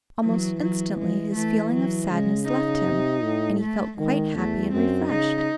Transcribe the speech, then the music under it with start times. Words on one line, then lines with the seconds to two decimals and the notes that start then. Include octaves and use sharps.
Almost instantly his feeling of sadness left him, and he felt quite happy and refreshed.
0.23 E3 F#3
0.61 F#3
0.99 G#3
1.36 E3 A3
1.74 F#3
2.11 C#3 G#3
2.48 D#4
2.86 C3
3.23 A2
3.60 A3
3.98 D#3 G#3
4.35 E2 A3
4.73 F#2 C4
5.10 C#3 D#4